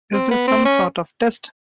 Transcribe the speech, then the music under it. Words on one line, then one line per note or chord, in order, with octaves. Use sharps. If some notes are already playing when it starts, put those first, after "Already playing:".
Is this some sort of test?
C4
B3
C4
C#4